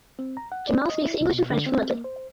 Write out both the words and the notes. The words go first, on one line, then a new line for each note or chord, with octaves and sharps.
Jamal speaks English and French fluently.
C4
A#5
F#5
D5
D#5
E4
C2
B2
D3
C4
A#3
C5